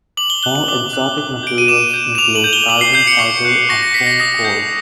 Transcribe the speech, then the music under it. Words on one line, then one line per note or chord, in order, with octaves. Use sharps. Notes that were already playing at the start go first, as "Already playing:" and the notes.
More exotic materials include carbon fiber and foam core.
D6 F#7
G7
F#6 G7
F#7
D6
F#6
D6
G6 D7
D#7
D6 E7
G6
E7
D6 F7
F#7
G6
G7
D6 F#7
C7
G6 C7
C#7
C#6 C7
F#6
C#6 A#6
A#6
F#6 B6
A#6
D#6 A#6
G6